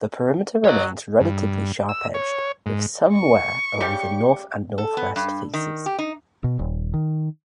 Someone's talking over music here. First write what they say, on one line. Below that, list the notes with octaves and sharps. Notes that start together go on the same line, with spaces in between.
The perimeter remains relatively sharp-edged, with some wear along the north and northwest faces.
F#3 C#5 D#5
G2
E6
C#5
G#2
C#6
C#3 G3 G4
A4
B3
G2
D#3
G4
D#4
B2
D#1
D#3